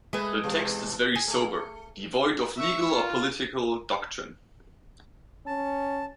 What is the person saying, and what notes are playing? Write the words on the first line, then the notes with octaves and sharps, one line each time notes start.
The text is very sober, devoid of legal or political doctrine.
G#3 A3 G#4 B4 E5
B2 E3
G#4
A3
E5 C#6
F4
C#4 A5